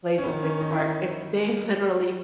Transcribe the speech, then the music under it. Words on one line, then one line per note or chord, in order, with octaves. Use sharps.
plays a big part if they literally,
C#4
D#3 B3
C#4
D#4
E4
D#4